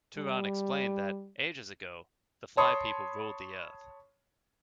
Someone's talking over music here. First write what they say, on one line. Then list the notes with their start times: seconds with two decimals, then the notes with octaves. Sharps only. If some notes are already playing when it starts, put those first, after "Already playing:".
Turan explained that, ages ago, the Fly People ruled the Earth.
0.17 G3
2.57 C#5 A5 B5 C6 D#6